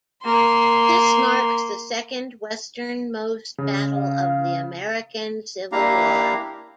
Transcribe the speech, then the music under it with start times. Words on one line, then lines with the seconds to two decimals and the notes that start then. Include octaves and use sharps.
This marks the second westernmost battle of the American Civil War.
0.22 A#3 C6
3.58 C#3
3.93 F5
5.72 A#3 D4 E4 G4 F5 A#5